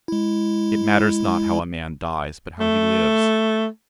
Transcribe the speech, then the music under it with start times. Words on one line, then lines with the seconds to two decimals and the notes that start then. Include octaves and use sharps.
It matters not how a man dies, but how he lives.
0.08 G#3 E4
2.59 A3